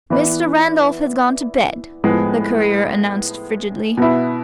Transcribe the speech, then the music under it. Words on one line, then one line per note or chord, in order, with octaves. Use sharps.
"Mr. Randolph has gone to bed!" the courier announced frigidly.
E3 B3 E4 B4 D5
A2 F3 G#3 B3
B2 B3 E4